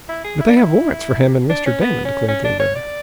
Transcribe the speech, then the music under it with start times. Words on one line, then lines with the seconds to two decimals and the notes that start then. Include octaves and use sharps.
"But they have warrants for him and Mr. Damon," declared the inventor.
0.09 E4
0.25 G#4
0.41 E4
0.48 D4
0.56 E4
1.50 D4
1.66 C#4
1.81 B3
2.05 C#4
2.29 C#4
2.45 D4
2.60 C#5
2.76 D5